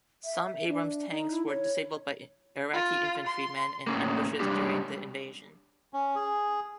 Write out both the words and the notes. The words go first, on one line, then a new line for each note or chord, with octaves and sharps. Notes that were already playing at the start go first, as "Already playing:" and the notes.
Some Abrams tanks were disabled by Iraqi infantrymen in ambushes during the invasion.
E5
E5
D4
D#4
E4
C#5
F4
C6
A2 C#3 A#3
G#2 C3 E3 G3 D4 G4
C#4
G#4